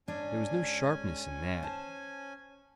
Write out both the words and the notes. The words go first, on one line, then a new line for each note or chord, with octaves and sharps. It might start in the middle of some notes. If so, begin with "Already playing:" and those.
There was no sharpness in that.
G#2 C#4 D4 G#5
C5 A5